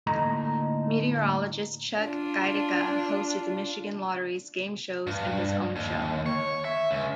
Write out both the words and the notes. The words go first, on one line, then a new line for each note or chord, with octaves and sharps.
Meteorologist Chuck Gaidica hosted the Michigan Lottery's game shows and his own show.
A2 D3 A#3 D#4 D#5 A#5
D4 F4
G2
D#2
C#5
E5
C#2